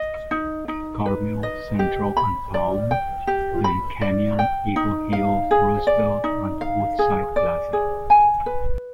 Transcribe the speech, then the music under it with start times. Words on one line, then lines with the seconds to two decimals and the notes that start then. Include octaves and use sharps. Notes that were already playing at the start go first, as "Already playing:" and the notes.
Carmel, Central and Palm then Canyon, Eagle Hill, Roosevelt, and Woodside Plaza.
Already playing: D#5
0.31 D#4
0.68 D#4
1.06 B4
1.43 D#5
1.79 G4
2.17 B5
2.54 D5
2.91 G5
3.27 G4
3.64 B5
4.01 D5
4.39 G5
4.76 D#4
5.13 F5
5.51 G#4
5.87 D5
6.24 D#4
6.61 F5
6.99 G#4
7.36 D5
7.73 G#4
8.10 G#5
8.46 B4